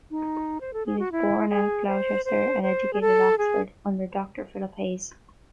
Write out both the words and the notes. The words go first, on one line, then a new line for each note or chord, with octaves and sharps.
He was born at Gloucester, and educated at Oxford under Doctor Philip Hayes.
D#4
C5
A4
G#4
F#4
E4
G#4
C5
C5
C5
G#4
A4
G#4